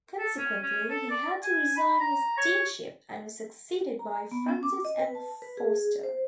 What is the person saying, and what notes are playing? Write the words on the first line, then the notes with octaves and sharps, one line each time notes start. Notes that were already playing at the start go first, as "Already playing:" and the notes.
Consequently, he had to resign his deanship and was succeeded by Francis M. Forster.
A4
C#4
C#4
A4
D5
G#5
B5
A#5
C#5
A#5
B3
C#4
D6
D#5
B4
A5
B4
G#4
C5